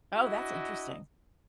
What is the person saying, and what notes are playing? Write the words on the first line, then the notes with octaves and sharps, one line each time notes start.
Oh, that's interesting.
D4 E4 F#4 D#5